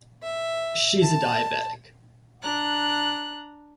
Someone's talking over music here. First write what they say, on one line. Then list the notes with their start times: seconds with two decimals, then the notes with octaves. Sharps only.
She's a diabetic.
0.23 E5
1.02 A5
2.42 D4 A#5 F#6